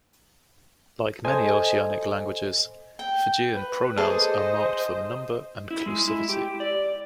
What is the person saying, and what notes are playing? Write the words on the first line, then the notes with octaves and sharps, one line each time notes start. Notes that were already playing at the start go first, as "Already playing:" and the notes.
Like many Oceanic languages, Fijian pronouns are marked for number and clusivity.
A4 C5 D#5 G#5
G5
B4
G#4 A4 C5 D#5 D6
E4
G#3
E4
G4
D5